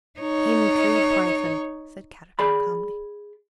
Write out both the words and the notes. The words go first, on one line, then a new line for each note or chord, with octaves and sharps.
"Him tree-python," said Kadok, calmly.
D#4 C#5
G#4 D5 B5